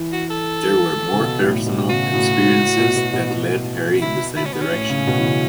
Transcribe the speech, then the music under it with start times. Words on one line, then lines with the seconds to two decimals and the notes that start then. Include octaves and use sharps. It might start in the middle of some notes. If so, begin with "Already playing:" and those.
There were more personal experiences that led her in the same direction.
Already playing: E3
0.13 F#4
0.30 A4
1.13 C#3
1.19 B2
1.42 A2
1.61 A2
1.66 B2
1.90 C#3 F#4
2.13 A2
2.59 A2
2.78 B2
2.96 B2
3.13 B2
3.30 B2
4.01 E4
4.37 E4
4.45 C#4
4.53 B3
4.62 C#4
4.71 A2
4.89 C#3
5.07 B2
5.18 E3
5.25 C#3